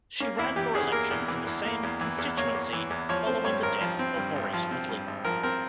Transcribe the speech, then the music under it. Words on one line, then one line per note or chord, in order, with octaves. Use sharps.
She ran for election in the same constituency following the death of Maurice Ridley.
A#3 C#4
E2 E4
E3 G4
E2 G#4
A#3 A#4
E2
E3
E2
A#3
E2
E3
E2
A#3 C#5
E2
E3
E2
F3 C#5
C4 C5
G2 C#5
G#1 A#4
F3
C4
G2
G#1
F3
C4
G2
G#1
F3 A#4
C4 A#4